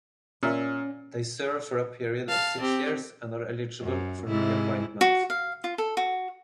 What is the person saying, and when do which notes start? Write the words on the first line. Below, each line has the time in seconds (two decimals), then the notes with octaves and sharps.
They serve for a period of six years and are eligible for re-appointment.
0.43 A#2 C#4 E5
2.29 F5 A5
2.60 C4 G4
3.82 F#2
4.27 G#2 C3 E4
5.01 F#4
5.30 F5
5.64 F4
5.78 A4
5.97 F#4